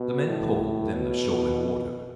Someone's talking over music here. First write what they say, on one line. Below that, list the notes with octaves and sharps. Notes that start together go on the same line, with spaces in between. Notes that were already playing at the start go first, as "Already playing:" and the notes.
The men poled in the shoaling water.
Already playing: B2
A2
B2